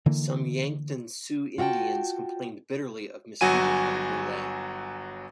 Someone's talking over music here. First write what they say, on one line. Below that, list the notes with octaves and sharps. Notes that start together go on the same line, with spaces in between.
Some Yankton Sioux Indians complained bitterly of mistreatment by Burleigh.
D3 E3 A#3
F4 F#4 E5 G5 A5
G1 F#3 F#4 G#5 D#7